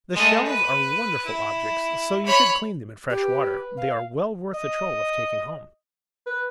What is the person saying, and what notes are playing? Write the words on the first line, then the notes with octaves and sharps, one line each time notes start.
The shells are wonderful objects, so you should clean them in fresh water; they are well worth the trouble of taking home.
G#3 A3
B4
E4
C#5 B5
G4 B4
F5
D#5
B4